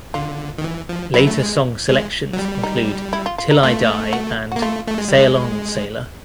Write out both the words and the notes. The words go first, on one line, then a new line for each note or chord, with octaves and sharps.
Later song selections include "'Til I Die" and "Sail On, Sailor".
D3 F4
D#3
E3
F3
F#3 E4
A3
G#3
G#3
F#3
G3
D#4
E4
F4
F4
D#4
A3 F4
F#4
A#3 F#4
A3 F4
A3
G#3
G3
G#3